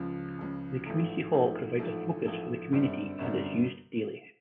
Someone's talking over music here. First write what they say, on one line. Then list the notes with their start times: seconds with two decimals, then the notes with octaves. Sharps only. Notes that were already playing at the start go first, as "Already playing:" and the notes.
The community hall provides a focus for the community and is used daily.
Already playing: C#2 C#3 F3
0.39 C#2 C#3 F3
0.86 A1 G#2 F3 A3
1.32 A1 G#2 F3 A3
1.79 A1 G#2 F3 A3
2.25 A1 G#2 F3 A3
2.72 G1 F#2 D3 G3 C4
3.19 G1 F#2 D3 G3 C4